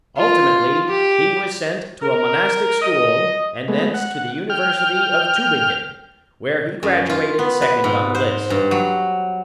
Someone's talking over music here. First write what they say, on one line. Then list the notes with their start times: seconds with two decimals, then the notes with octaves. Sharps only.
Ultimately he was sent to a monastic school and thence to the University of Tuebingen, where he graduated second on the list.
0.17 F4
0.89 G4
2.02 A#4
2.82 D#5
3.68 G#3 A3 B3
3.94 F#5
4.50 G5 F6
6.83 F#2
7.10 F4
7.39 B3
7.62 B4
7.84 G#2
8.15 C5
8.50 G2
8.71 F#3